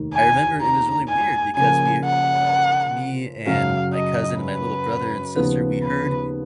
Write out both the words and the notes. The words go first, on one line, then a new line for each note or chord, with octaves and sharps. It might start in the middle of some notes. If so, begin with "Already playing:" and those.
I remember it was really weird because we're, uh w me and my cousin and my little brother and sister, we heard
Already playing: F1 D#2 D#3
G#5
A#5
G#5
C#3 F3 A#3 G#5
F#5
F#2 C#3 F#3 C#4 F#4 F5
D#5
B4
D#2 C#3 F3 B3
B4